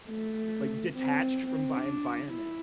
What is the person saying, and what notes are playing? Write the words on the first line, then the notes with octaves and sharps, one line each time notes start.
like, detached from my environment.
A3
C4
C4
D4
E4